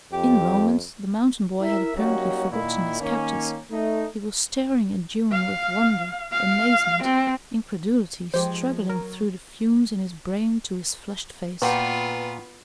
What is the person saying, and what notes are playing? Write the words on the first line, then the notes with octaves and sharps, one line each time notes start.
In the moment, the mountain boy had apparently forgotten his captors--he was staring at June with wonder, amazement, incredulity struggling through the fumes in his brain to his flushed face.
F2 G4
E4 A#4 E5
F#3 G3 A#3 C#4 D#4 F#4
A#2 D#3 E4
D#3 A#3 C#4
A3 D#4
F5
F5
C4
F3 G#3 G4 C5
F#3 A#4
A#2 B3 F4 F#4 B4 G5